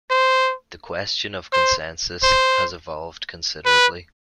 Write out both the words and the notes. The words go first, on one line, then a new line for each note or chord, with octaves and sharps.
The question of consensus has evolved considerably.
C5
C5
C5
B4